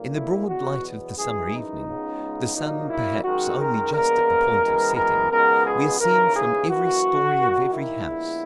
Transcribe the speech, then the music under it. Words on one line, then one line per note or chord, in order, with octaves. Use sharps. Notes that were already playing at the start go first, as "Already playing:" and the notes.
In the broad light of the summer evening, the sun, perhaps, only just at the point of setting, we are seen from every story of every house.
Already playing: B1 A#2 A#3
E4
E2 B2 F#3 B3 F#4
F#2 E3 G#3 G#4
D#4
C#2 C#3 G#3 B3
A#1 A#2 F#3 A#3 D#4
E4
F#2 D#3 G#3 F#4
A#4
A#1 A#2 G#3 B3 A#4
F#2 E3 G#3 B3
A#4
C#2 B2 G#3 B3 A#4
G#4
D#2 C#3 E3 A#4
G#4
F#2 E3 A#3 F#4
D#2 D#3 A#3
E4
A#1 A#2 G#3 B3